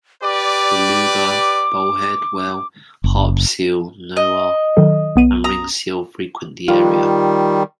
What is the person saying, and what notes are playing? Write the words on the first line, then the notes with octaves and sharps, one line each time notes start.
Beluga, bowhead whale, harp seal, narwhal, and ringed seal frequent the area.
G4 B4 D5 D6
F#1
D#5
D#3 F#3 A4
B1 B3 D#7
A#5 D#6
D#3 G3 F4